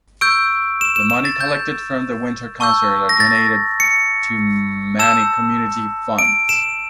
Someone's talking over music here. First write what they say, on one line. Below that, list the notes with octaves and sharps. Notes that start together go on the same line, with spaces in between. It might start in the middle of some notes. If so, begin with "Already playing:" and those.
The money collected from the Winter Concert are donated to many community funds.
C#6 E6 G6 D7
E7
E7
E7
A6
G6
A5 C#6 E6 G6
A#6
A6
C#7
A5 E6 G6 E7
D7
E7